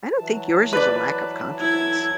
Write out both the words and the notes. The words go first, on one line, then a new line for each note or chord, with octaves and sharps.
I don't think yours is a lack of confidence.
E3 F#3 A5
B4 D5
E4 G#6